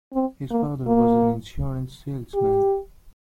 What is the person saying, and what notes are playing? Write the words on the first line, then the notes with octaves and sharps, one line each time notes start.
His father was an insurance salesman.
C4
A#3
A#3
G4